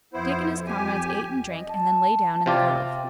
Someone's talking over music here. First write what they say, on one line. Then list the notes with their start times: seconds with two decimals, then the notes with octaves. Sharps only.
Dick and his comrades ate and drank, and then lay down in the grove.
0.13 F2 B3 E4 C5
0.67 G4 G#5
1.49 D#5
1.68 A5
2.46 C3 F4 D5 G5